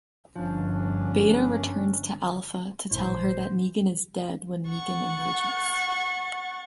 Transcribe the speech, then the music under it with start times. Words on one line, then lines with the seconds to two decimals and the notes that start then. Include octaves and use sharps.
Beta returns to Alpha to tell her that Negan is dead when Negan emerges.
0.36 G1 F3 C#4 D4
2.91 A1 A#2 E3 G#3 E4 C5
4.70 F#5 C#6 A6